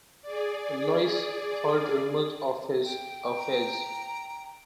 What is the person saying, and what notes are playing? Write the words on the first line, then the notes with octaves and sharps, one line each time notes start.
Louise heard rumors of his affairs.
G#4 D5
G5
A#5